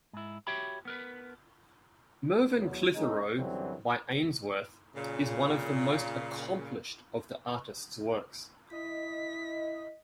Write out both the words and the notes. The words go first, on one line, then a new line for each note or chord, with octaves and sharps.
"Mervyn Clitheroe" by Ainsworth is one of the most accomplished of the artist's works.
G#2 E4
F#4 G4 C#5 E5 G5 B5
B3 A#4 B4
E2 F#3
G#3 A#3 C#4 D#4
F#2 D3 E3 F#3 G3 C4
A#2 C#3
E4 D#5 B6